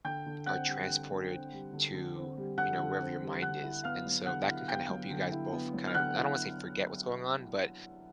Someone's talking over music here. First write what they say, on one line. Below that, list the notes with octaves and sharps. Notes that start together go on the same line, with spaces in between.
are transported to, you know, wherever your mind is, and so that can kinda help you guys both kind of I don't wanna say forget what's going on, but
D3 G5 G6
D3
C4 F#5 F#6
G3
D3
D3
C4
G3
D3
D3
C4
G3
D3 F#5 F#6
D3
C4
G3
D3 F#5 F#6
E4
B3 F5 F6
F#3
D3 F#5 F#6
E4
B3 G5 G6
F#3
D3
E4
B3
F#3
F6
D3 F#5 F#6
E4